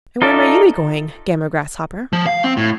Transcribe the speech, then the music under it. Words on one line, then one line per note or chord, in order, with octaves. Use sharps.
'And where may you be going, Gammer Grasshopper?'
D#4 F4 A4 D5 E5
F3
F5
C4
A2